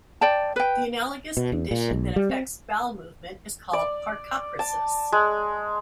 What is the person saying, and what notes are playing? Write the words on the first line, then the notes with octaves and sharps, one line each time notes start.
The analogous condition that affects bowel movement is called parcopresis.
D5 G5 A5
B4 G5
B2
E2
A#2
B1
G3
C4
D5
A5
G#3